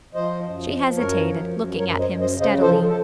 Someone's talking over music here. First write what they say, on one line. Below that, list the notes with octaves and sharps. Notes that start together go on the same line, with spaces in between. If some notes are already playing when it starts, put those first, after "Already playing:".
She hesitated, looking at him steadily.
F3 C5 D#5
F#2
F3
F#2 A#4 C#5
F3
F#2
F#2 A#4 C#5
C5 D#5
F#2
C5 D#5
C#3
C5 D#5
F3 A4 C5
A4